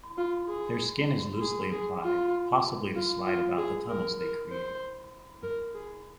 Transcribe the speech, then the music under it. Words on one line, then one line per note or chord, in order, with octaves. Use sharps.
Their skin is loosely applied, possibly to slide about the tunnels they create.
F4
G#4
G#4
G#4
F4
F4
F4
G#4
A#4
A#4
C5
A#4
G#4